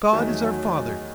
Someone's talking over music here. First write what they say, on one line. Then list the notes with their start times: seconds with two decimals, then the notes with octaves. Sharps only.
God is our Father.
0.13 E2 D#3 F#3 A3
0.41 F#3
0.70 F#3